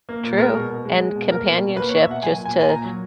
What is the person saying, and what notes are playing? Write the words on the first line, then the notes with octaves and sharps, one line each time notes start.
true and companionship just to
A#3
A#2
G#3 A#4
B2
B2
G#3
G#3
B2
A#3 A#4
B2
B2
A#3 B4
C#5
A#3
E5
B2 F#5
F#3 G#5
A#2
G#5
A#3
G#5
A#2 A#5
F#3